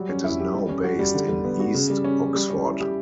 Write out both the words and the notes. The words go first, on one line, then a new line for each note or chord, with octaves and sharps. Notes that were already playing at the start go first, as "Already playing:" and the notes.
It is now based in east Oxford.
Already playing: F#3 G3
C#4
E4
G4
G3
C#4
F#4
G3
D3
G3
B3
F#4
C#3
G3
C#4
C#3
G3
C#4
E4
G4